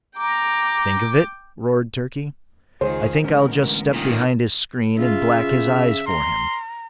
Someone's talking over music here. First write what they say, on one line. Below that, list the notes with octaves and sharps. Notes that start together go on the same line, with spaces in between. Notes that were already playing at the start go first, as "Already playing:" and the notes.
"Think of it?" roared Turkey; "I think I'll just step behind his screen, and black his eyes for him!"
G5 A#5 D6
C#2 D#3 F4 G#4 C5
A1 D3 G#3 B3 C#4 A#4
A#2 D#3
C#3 F4 E5
A#5 C6